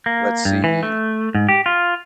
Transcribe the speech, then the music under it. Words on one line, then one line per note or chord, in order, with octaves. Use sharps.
Let's see
A#3
G2
E3
A3
G#2
G4
F4